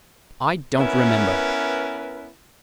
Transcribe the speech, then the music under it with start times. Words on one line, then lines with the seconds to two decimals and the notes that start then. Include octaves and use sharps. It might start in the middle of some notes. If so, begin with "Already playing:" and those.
I don't remember....
0.78 B3 C#4 E4 A#4 B4